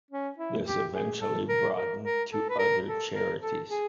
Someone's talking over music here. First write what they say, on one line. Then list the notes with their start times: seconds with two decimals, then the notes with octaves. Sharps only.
This eventually broadened to other charities.
0.11 C#4
0.38 E4
0.66 G4
0.94 G#4
1.20 A4
1.49 A#4
1.76 A#4
2.04 A#4
2.32 A4
2.49 B4
2.59 A#4
2.87 A4
3.14 A#4
3.42 A4
3.70 G#4